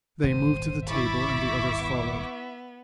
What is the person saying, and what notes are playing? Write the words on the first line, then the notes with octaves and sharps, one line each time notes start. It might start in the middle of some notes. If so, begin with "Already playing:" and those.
They moved to the table and the others followed.
D#1 G#1 C5 D#7
E4 E5 B5 C#6 D6 A6
B3